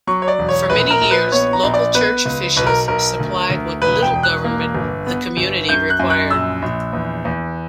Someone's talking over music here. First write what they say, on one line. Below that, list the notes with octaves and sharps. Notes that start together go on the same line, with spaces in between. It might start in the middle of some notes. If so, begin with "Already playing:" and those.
For many years local church officials supplied what little government the community required.
F#3 C#6
C#5
D5
E1
C#5
A#1 B4
A#4
A#1
B4
B3 C#5
A#5
A#1
D5
B3 B4
C#2
B1 B4
A#4
B1 A#4
D2
D2
E1 B4
G5
E1
F#6
A#3
G1
B3
G1
F#2 G6
F#6
F#2
F#6
A#1 E6
A#1
E2
E2